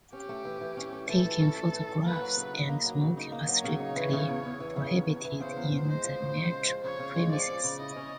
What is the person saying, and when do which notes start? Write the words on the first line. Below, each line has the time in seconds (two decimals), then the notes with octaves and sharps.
Taking photographs and smoking are strictly prohibited in the metro premises.
0.13 C#4 G4
0.29 A3
0.45 E3
0.61 E3
0.77 C#4
0.92 A3
1.08 E3 A4
1.25 E3
1.40 C#4
1.57 A3
1.73 E3
1.89 E3
2.04 A#3 B4
2.21 F#3
2.36 C#3
2.52 D#4
2.69 A#3
2.85 F#3
3.01 C#3
3.17 D#4
3.32 A#3
3.48 F#3 C#5
3.64 C#3
3.80 D#4
3.96 E3
4.13 C#3
4.28 E2
4.45 E2
4.60 E3
4.76 C#3
4.92 E2
5.08 E2
5.25 E3
5.40 C#3 C5
5.56 E2
5.72 E2
5.88 G#3 C5
6.04 F3
6.20 C#3
6.36 C#3
6.51 G#3
6.68 F3
6.84 C#3 C#5
6.99 C#3
7.16 G#3
7.31 F3 D5
7.47 C#3
7.64 C#3
7.80 E4 D#5
7.96 C#4